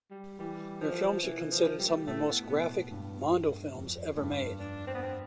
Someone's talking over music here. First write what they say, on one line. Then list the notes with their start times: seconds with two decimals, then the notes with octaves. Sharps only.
Their films are considered some of the most graphic Mondo films ever made.
0.11 G3
0.39 E3 G3
0.81 F3
1.22 C3 E3
1.51 F3
1.79 G3
1.88 A3
1.96 G3
2.07 A2 A3
2.28 B3
2.49 B2 B3
2.91 G2
3.75 F2
4.17 G2
4.60 D4
4.87 C4
4.95 B3
5.02 C4